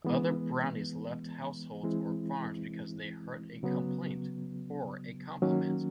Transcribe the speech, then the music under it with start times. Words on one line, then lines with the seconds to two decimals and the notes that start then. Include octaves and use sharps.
Other brownies left households or farms because they heard a complaint, or a compliment.
0.05 E3 G#3 B3
1.84 E3 G#3 C4 E4
3.63 C#3 F#3 B3
5.42 D#3 F#3 A#3 C#4